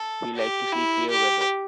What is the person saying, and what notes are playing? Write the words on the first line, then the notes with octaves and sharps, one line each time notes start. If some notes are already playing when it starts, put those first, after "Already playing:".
We like to see clear weather.
Already playing: A4
G4
E4
G4